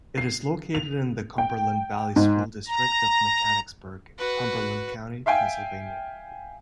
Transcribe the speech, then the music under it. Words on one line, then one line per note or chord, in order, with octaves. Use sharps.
It is located in the Cumberland Valley School District of Mechanicsburg, Cumberland County, Pennsylvania.
C7
F7
G5
G#2
A#5
F#4 B4
E5 F5 G5 G#5